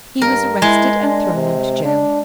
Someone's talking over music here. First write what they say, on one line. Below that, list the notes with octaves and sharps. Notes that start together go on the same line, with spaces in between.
He was arrested and thrown into jail.
G2 A#4
G#3 E4
D4
C3
D4